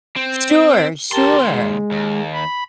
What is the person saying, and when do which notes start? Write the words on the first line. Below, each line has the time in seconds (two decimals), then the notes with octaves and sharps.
Sure, sure,
0.16 C4
1.13 D#2 G4 A#4 A5 C6
1.48 G#3
1.92 D#2
2.33 B5